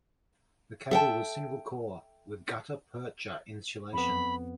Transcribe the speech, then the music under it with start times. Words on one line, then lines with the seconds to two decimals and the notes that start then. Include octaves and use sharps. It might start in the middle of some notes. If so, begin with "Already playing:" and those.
The cable was single-core, with gutta-percha insulation.
0.91 A4 E5 F#5 G5 A5
3.93 F2 B3 B5